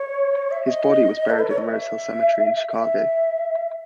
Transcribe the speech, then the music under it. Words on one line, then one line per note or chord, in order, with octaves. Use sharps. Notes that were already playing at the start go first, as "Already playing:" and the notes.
His body was buried in Rosehill Cemetery in Chicago.
Already playing: C#5
E5
E5
D#5
A4
B4
C#5
D#5
E5
E5